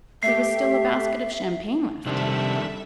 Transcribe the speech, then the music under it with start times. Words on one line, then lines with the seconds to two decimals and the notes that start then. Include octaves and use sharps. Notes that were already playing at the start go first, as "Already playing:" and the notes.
There was still a basket of champagne left.
0.23 A3 G4 E5 C7
2.06 F2 C3 D#3 G3 D4 A4 E5